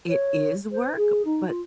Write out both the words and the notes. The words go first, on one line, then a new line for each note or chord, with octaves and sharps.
it is work, but
C#5
C5
G#4
D#4
F4